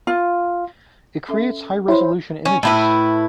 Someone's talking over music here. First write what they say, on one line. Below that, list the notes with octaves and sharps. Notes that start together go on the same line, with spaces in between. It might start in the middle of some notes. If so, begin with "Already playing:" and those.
It creates high-resolution images.
F4
C#4 A4 E5
E4 C5 C#5 B5
C#4
A2 E4 B4